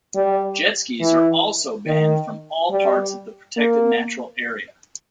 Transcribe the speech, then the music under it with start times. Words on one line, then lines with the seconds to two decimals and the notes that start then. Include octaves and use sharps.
Jet skis are also banned from all parts of the Protected Natural Area.
0.15 G3
1.01 E3
1.87 D#3
2.71 G3
3.57 A#3